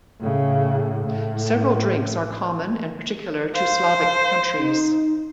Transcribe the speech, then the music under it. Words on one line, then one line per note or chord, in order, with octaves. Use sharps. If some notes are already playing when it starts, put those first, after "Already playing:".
Several drinks are common and particular to Slavic countries.
A2 C#3
A2
C5 F5
D#4